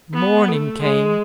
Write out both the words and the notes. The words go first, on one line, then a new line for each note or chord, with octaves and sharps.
Morning came!
B3
A3
G#3